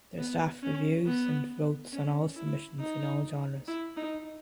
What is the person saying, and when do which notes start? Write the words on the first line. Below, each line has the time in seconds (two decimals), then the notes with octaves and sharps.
Their staff reviews and votes on all submissions in all genres.
0.18 B3
0.63 C#4
1.06 B3
1.93 C#4
2.36 E4
2.80 D#4
3.68 E4
3.97 D#4